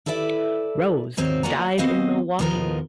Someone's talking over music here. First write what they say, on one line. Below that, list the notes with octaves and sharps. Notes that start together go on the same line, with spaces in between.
Rose died in Milwaukee.
E4 A4 B4 D5 E5
D#2 G#2 C4 F#4 C#5
A#3 F#4 D5 F#5 G#5 A#5
D#2 B3 C4 F#4 D#5 F5
D#2 A2 F3 B3 A#4 D#5